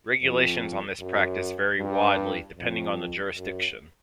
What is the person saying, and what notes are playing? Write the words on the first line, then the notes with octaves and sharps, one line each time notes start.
Regulations on this practice vary widely, depending on the jurisdiction.
F2
F#2
G2
F2
F#2